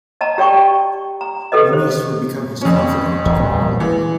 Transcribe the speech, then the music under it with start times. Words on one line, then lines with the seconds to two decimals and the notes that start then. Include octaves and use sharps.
Mimise would become his confidant and model.
0.21 D#5 A5 A#5
0.38 G4 D5 G5 C#6
1.21 A#5
1.52 G4 A4 B4 D#5
1.73 C5
2.61 F2 C#4
3.26 E2
3.40 A#2 G3
3.80 E3 G#3